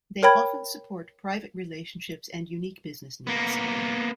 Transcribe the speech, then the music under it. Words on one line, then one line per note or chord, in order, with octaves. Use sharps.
They often support private relationships and unique business needs.
A#4 C#5 G5 B5 G#6
A#3 B3